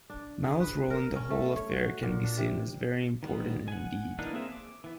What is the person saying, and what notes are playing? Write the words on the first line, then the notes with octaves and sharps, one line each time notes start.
Mao's role in the whole affair can be seen as very important indeed.
D4
G#4
B4
A#4
C#4
A3
C#5
F#4
A#2
D4
C3
D#3 G3 G#3 B3
F#5 G#5
E3 A#3 D4 D#4 F#6
A#3 C4 G#4 E5
D6
E3 B3